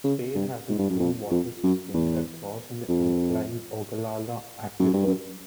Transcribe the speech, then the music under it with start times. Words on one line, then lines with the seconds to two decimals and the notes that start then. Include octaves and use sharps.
Spade has its own water system that draws on the underlying Ogallala Aquifer.
0.04 C#3
0.35 G2
0.69 G#2
0.78 G2
0.90 F#2
1.00 F2
1.31 F2
1.63 F#2
1.94 E2
2.89 F2
4.79 F#2
4.93 G2
5.07 F#2